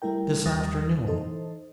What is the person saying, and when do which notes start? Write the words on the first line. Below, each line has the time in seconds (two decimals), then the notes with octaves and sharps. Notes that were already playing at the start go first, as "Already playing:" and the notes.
This afternoon....
0.02 G3 A3 E4 A#4 G5
0.46 D#2 F3 G3 D#6 A6 A#6
1.06 E3 D#4 A4 C5